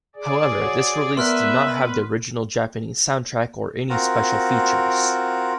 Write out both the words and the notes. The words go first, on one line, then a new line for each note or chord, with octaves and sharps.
However, this release did not have the original Japanese soundtrack or any special features.
G#4 D5
F#4 C#5
B3 A#4 B4 D5 E5 C6 F6 F#6
C4 F4 F#4 A#4